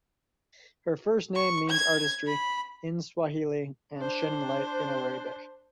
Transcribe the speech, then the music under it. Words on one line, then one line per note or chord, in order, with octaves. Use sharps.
Her first name means "artistry" in Swahili and "shining light" in Arabic.
C#6
G#6
B5
D4 C5